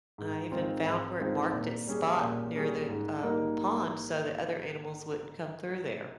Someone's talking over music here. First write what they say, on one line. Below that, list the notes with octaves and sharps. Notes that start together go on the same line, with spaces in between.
I even found where it marked its spot near the, um, pond so that other animals wouldn't come through there.
G#2
D#3 G#3 C4 F4
G#2
D#3 G#3 C4 F4
A#2
G3 C#4 G#4
A#2
G3 C#4 G#4
G#2
G3 A#3 D#4 A#4